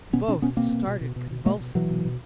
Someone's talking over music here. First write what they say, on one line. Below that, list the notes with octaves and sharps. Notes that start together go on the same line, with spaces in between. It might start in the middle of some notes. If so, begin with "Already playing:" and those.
Both started convulsively.
B2 B3 C#4
B2 C4 D4
B2 B3 C#4
B2 A#3 C4
B2
B2
B2
B2
B2
B2 G#3 A#3
B2
B2 E3 F#3
B2
B2